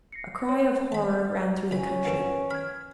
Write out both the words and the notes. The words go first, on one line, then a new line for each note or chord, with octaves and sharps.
A cry of horror ran through the country.
A#6 C7 C#7
C#5
F#5 A5 B5
C#2 C#4 B5
F#2 D3 B4 D7 E7
B5 F6 G#6